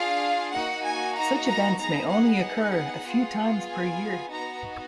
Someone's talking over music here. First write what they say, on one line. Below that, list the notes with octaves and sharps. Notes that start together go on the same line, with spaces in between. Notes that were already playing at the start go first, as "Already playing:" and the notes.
Such events may only occur a few times per year.
Already playing: D4 F4 G#4 F5
A#3 D#4 F#4 F#5
G#5
A#5
A#5
B3 D#4 G#4 A#5
F#5
B3 F4 G#4
G#5
B3 D#4 F#4 A#5